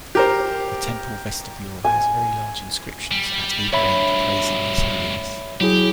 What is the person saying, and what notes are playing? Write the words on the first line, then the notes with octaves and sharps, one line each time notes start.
The temple vestibule has very large inscriptions at either end praising his holiness.
G4 A#4 C5
G#5
G3
D2 G2 C#5 E5 B5
F#3 E4 G4 G#4